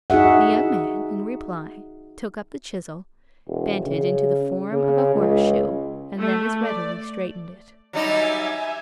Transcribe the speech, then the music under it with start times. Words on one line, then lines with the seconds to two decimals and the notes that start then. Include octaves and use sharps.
The young man, in reply, took up the chisel, bent it into the form of a horseshoe, and then as readily straightened it.
0.10 D#4 F#4 G#4 E5 F#5
3.47 E1
3.86 C#3
4.71 C#3
5.16 C#2
6.19 A3
6.62 D5
7.93 F#3 G3 D#4 E5 G#5